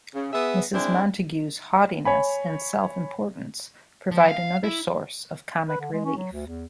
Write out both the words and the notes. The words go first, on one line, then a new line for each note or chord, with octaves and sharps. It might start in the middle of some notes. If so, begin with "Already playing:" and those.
Mrs. Montague's haughtiness and self-importance provide another source of comic relief.
C#3
B3 G#4 E5
G#3 C4 D4 E4
C#5 G#5 B5
F3
F5
E4
B4
D3
G#3
C#4
F#3
D2
E2